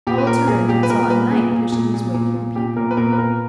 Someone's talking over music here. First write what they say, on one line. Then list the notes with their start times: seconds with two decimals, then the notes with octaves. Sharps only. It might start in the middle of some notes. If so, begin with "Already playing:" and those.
All turned and saw a knight pushing his way through the people.
0.07 A#2 G4
0.18 B4
0.27 A#2 A#4
0.48 A#2 G#4
0.68 A#2 G4
0.83 B4
0.90 A#2 A#4
1.10 A#2 B4
1.31 A#2 G#4
1.52 A#2
1.72 A#2
1.94 A#2
2.14 A#2
2.35 A#2
2.56 A#2 G4
2.77 A#2 A#4
2.91 B4
2.97 A#2 A#4
3.13 B4
3.18 A#2 A#4